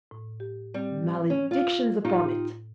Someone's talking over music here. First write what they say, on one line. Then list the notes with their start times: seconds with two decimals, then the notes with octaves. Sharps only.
Maledictions upon it!
0.11 A2
0.40 G4
0.74 G3 C4
1.30 C#4
1.51 F4
2.05 A2 D#4 F4 G4